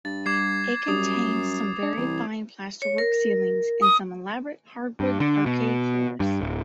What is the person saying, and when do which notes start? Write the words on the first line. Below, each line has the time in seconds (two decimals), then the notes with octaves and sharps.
It contains some very fine plasterwork ceilings and some elaborate hardwood parquet floors.
0.05 G2 A6
0.26 G3 D6 G#6 C7
0.88 F#2 G3 D#6
1.83 D4
1.97 C2 E3
2.82 C#5
2.98 A#4
3.82 D#6
5.00 G2
5.20 D3
5.46 B2
6.20 G2
6.41 D1